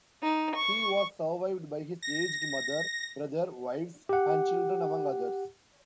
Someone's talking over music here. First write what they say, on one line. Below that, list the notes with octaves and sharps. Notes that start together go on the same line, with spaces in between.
He was survived by his aged mother, brother, wives and children, among others.
D#4
C#6
A#6
G4 F#5